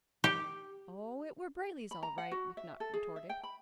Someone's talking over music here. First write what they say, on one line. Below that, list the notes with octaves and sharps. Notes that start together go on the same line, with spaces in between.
"Oh, it were Brayley's, all right," McNutt retorted.
G4
B5
A#5
F#5
F#4
E5
A4
G#4
E5
G5
B5